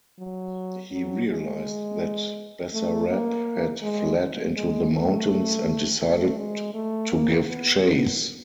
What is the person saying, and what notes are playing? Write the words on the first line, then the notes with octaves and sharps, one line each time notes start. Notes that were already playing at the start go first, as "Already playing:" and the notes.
He realised that Basarab had fled into the mountains and decided to give chase.
F#3
F#3
G#3
A3
A#3
G#3
G#3
A3
A3
G#3
A3
A#3
B3
B3